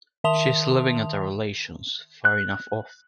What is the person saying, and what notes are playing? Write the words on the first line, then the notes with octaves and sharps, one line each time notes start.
She’s living at a relation’s, far enough off.
D#3 E5 A5 C6 D#6 F7
F#6